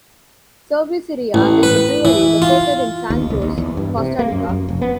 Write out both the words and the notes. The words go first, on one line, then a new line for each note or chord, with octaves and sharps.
Cerveceria is a brewery located in San Jose, Costa Rica.
A1
B4
E3
F4
D#2
C2
D#2
E2
G2
C3
A#3
F#2
F#2
F1
B3